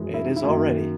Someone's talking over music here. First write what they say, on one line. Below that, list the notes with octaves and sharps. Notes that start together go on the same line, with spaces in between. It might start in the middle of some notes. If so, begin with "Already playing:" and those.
It is already.
Already playing: F#2 E3 G#3
E4
D#4
E4
F#2 D#3 A#3